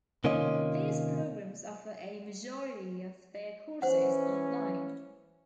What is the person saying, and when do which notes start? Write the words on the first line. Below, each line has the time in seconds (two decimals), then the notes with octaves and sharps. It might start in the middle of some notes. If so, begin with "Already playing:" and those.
These programs offer a majority of their courses online.
0.24 C3 D#3 A#3 C#4 F4 D#5
3.82 E3 C#4 C5 F#5